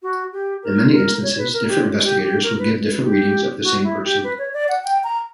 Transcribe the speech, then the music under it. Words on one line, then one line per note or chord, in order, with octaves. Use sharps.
In many instances, different investigators would give different readings of the same person.
F#4
G4
A#4
A#4
C#5
B4
A#4
G4
G4
G4
A#4
B4
B4
G4
F#4
E4
G4
B4
C#5
D5
F#5
G5
A#5